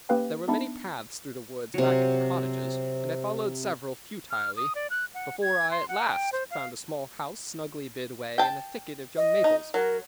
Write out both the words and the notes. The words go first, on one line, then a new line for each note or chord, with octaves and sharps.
There were many paths through the woods back of the cottages, and I followed several futilely before I at last found a small house snugly bid away in a thicket of young maples.
A#3 C#4 G4 B4 F5 G5
B3 D4 D#4 E5 A5 B5
C3 F#3
F6
D#6
D5
F#6
F#5
G#6
C6
F#5
G5
C5
F5
G5 A5
D#5
D#4
F#3 A#4